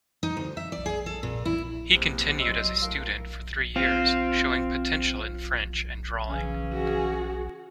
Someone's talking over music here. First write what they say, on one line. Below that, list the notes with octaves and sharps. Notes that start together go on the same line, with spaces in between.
He continued as a student for three years, showing potential in French and drawing.
D#4
D2
E5
D5
G#4
A4
A#2
E4
E2 C3 A#3
G#2 F#3 D#5 C6 E6
A2 A#4 F5
C4 F4
C#3 E3 C#4
F#4 G#4